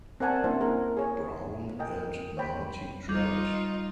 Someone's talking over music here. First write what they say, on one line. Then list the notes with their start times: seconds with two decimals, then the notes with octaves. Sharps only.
Brown, and Marty Dread.
0.20 C4 A#4 D5 F#5 G#5 A5
0.44 A#3 C#4 D4 E4 C5 A5
0.60 G#4 A#4
0.97 G#4 C#5 G#5
1.79 A#4 D#5 G5 G#5
2.37 C5 C#5 G5 B5
3.09 G3 D#4 F4